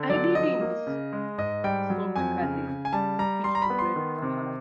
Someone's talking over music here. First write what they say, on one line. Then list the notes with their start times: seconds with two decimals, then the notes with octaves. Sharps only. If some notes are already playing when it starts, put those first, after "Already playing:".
'I didn’t!’ sobbed Cathy, fit to break her heart.
Already playing: D3
0.10 F#3 D5
0.35 F3 D#5
0.61 A#3
0.87 C#3
1.13 G#3
1.38 G#2 D#5
1.64 G3 G5
1.90 F#3
2.16 F2 G#5
2.42 C#3
2.68 C#3
2.85 G#5
2.93 G3 A5
3.19 G3 A#5
3.44 G3 C6
3.55 A#5
3.62 B5
3.70 B3
3.79 C6
3.96 D#3
4.22 C3